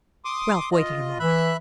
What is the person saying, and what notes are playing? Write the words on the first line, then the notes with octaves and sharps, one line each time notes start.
Ralph waited a moment.
C6 D6 D#6
F4 D#5
E3 E5 B5 F#6